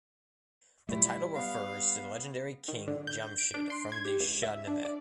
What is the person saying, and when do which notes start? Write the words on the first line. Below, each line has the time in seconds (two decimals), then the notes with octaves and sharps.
The title refers to the legendary king Jamshid from the Shahnameh.
0.89 A#2 F#3 G3 A3 E4
1.35 B3 F5
2.68 D#3
2.88 D3
3.07 G6
3.38 D7
3.54 D4
3.70 C6
3.92 G#6
4.05 G4
4.20 C#2
4.43 E5
4.67 D4
4.85 D5